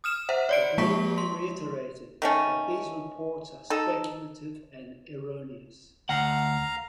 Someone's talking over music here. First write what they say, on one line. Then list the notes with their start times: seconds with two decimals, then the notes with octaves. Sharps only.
It may be reiterated that these reports are speculative and erroneous.
0.04 D#6 F6 E7
0.29 C5 E5 F#5
0.49 C#5 D5 D7
0.78 F3 G#3 A#3 A5 C#6 B6
1.18 C6
2.22 D#3 A3 C#4
3.70 D#4 A4
6.09 D2 F5 F#5 A#5